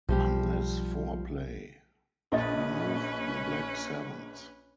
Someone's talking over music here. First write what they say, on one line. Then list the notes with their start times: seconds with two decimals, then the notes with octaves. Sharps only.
Unless four play, remove the black Sevens.
0.09 B1 F3 G3 G4
2.32 A#1 C#4 B4 D#5 A6